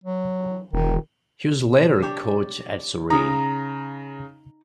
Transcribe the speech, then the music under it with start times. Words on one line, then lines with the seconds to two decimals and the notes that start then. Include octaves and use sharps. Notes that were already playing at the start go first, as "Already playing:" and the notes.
He was later coach at Surrey.
0.04 F#3
0.73 E1 D#3
2.02 D4 G4 C#5
3.10 C#3 D#4 A#5